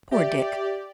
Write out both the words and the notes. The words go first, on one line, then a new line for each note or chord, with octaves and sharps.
Poor Dick!
G4 D5 E5